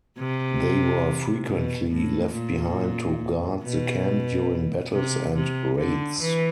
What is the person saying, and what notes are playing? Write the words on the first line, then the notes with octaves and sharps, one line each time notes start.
They were frequently left behind to guard the camp during battles and raids.
C3
B2
A2
A#2
B2
C3
C3
D3
E3